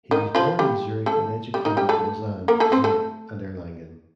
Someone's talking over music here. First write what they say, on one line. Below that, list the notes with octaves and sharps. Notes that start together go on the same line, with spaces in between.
He was born in Zurich and educated at Lausanne, Zurich and Erlangen.
D#3 D#4
F3 F4
G3 G4
A3 A4
G3 G4
D#3 D#4
G3 G4
A3 A4
A#3 A#4
A3 A4
C4 C5
A3 A4